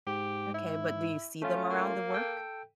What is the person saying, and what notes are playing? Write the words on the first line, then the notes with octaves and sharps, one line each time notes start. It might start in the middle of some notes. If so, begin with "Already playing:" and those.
okay but do you see them around the work?
G#2 G4
E4
A3 C#4 F4
A#3
A4 G5